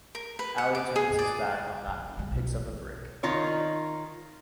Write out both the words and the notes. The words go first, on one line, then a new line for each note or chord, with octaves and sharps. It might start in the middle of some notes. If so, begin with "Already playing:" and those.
Ali turns his back on Macki, picks up a brick.
A#4
B4
F#5
D6
G#4
D5
A#3
F2 G3
B1 E3
D#3 D#4 F4 C#5